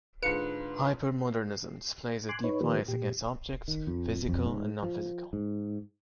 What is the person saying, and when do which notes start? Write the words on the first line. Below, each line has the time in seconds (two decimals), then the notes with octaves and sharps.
Hypermodernism displays a deep bias against objects physical and non-physical.
0.23 G#2 D3 F4 B4 C#7
2.29 G#5 C6 D6 F#6
2.44 D#4 B4 C#5
2.61 D#3 F3 A#3 G4 B4
2.88 A#2 G4
3.68 D#3
3.87 F2
4.29 F2
4.46 G#2
4.83 F3
5.33 G#2